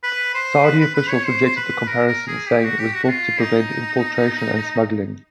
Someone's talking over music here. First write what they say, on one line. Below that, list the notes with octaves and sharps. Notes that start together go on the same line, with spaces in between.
Saudi officials rejected the comparison saying it was built to prevent infiltration and smuggling.
B4
C5
B4
B4
B4
C#5
C5
C5
B4
A#4
A#4
G#4
G4
F#4
G4
F#4
F#4
F4
D#4